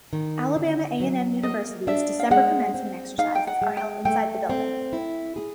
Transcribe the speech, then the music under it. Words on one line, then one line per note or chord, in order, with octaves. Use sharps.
Alabama A and M University's December Commencement Exercises are held inside the building.
D#3
D3
F#3
A#3 D#5
D4 E5
F5
G#3 F#5
C4
D#4 F5
G5
F#5
G#3
G5
A3 G5
C4
E4
G#4